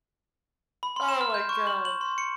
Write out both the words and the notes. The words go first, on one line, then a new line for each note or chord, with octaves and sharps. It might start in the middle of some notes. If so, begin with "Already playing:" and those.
Oh my God.
B5
C6
E7
F6
G6
C#6
F#7
F#7
C6
C#7